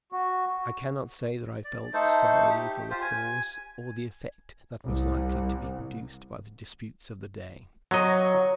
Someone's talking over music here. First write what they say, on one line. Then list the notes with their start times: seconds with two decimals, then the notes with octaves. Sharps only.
I cannot say that I felt sorry for the cause or the effect that was likely to be produced by the disputes of the day.
0.12 F#4
1.64 D5
1.93 A3 D#4 A4 C5
2.49 G4
2.90 F4 G4 C5
3.02 G#5
4.86 C2
7.91 F#3 C#5 D#5 A#5 C#6